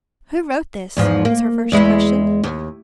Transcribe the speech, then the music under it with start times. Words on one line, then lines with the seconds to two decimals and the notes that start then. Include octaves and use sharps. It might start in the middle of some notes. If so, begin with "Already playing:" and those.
"Who wrote this?" was her first question.
0.97 E2 G#2 F3
1.25 A#3
1.72 E2 G#3 E4
2.44 D#2